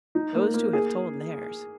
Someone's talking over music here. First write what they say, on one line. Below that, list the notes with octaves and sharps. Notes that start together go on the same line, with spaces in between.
"Those two have told theirs."
D#4
A#3
A#3
G#4